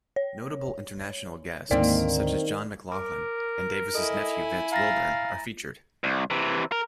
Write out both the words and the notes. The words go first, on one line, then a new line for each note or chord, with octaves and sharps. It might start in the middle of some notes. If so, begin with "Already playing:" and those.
Notable international guests such as John McLaughlin and Davis' nephew Vince Wilburn are featured.
C#5
D2 G#2 D3 D#3 A#3 C4 D4 D5
A#4 D6
E4 A4 D#5 G#5
F5 A#5 A6 A#6
C2
C3 E3
A#4